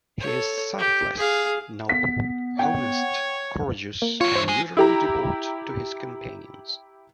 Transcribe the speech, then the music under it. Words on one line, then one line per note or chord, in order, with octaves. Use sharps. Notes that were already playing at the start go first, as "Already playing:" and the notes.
He is selfless, noble, honest, courageous, and utterly devoted to his companions.
A4 C#5
G4
G#4 F5
B3 B6
C#5 F#5 G5
A#3
E2 F4 C#5
C5 E5
G#3
E4 G4 A#5